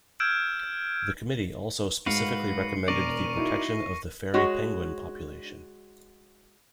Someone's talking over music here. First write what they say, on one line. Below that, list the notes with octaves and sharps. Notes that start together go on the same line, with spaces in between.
The Committee also specifically recommended the protection of the fairy penguin population.
E6 F6 G6 G#6 D7 E7
G#2 F#4 B4 F5 C7 C#7
E1 A#4 D5 C#6 A#6 D#7
D#4 E4 F#4
G#3 F#4 C#5